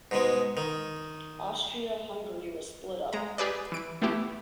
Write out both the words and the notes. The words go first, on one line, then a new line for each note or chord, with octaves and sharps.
Austria-Hungary was split up.
G#2 B2 G#3
D#3
G#3 A#5
G4 G#4 B4 D5
E3 D7
A3 B3 E4 G4